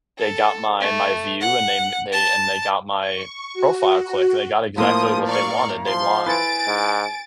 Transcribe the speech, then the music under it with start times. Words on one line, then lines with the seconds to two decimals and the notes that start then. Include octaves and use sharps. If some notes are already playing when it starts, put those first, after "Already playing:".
they got my my view and they m they and they got my profile click. They got exactly what they wanted. They want
0.18 A4
0.81 A3
1.41 F#5
2.12 A5
3.00 C#6
3.53 F#4
4.78 A2 F3 A#3 C6 D#6
5.26 D5 F5 A#5 C#6
5.86 F3 C6
6.26 E4 B4 G#5 A6 D7
6.68 G#2